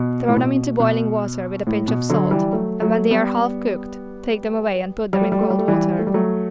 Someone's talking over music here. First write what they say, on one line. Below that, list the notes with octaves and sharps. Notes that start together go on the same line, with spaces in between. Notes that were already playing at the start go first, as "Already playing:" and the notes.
Throw them into boiling water with a pinch of salt and when they are half cooked take them away and put them in cold water.
Already playing: B2
A2
B2
B2
A2
B2
D3 F#3
E3 G3
F#3 A3
F#3 A3
G3 B3
G3
A3
G3
A3
G3
A3
E3 G3
A3
G3
F#3 A3